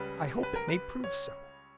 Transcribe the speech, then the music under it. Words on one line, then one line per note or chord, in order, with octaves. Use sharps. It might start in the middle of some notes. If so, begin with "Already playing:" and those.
'I hope it may prove so.
Already playing: C#2 C#3 G3 B4
B4
A#4
B4
C#5